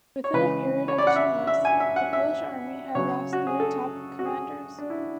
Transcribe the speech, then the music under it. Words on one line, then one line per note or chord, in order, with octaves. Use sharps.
Within a period of two months, the Polish Army had lost three top commanders.
C#5
C#3 E3 G#3 B4
C#5
D5
F#5
E5
E5
G#5
E5
F#5
E5
C#3 F#3 C#5
F#4
G#4
A4
F#4
G#4
D4
E4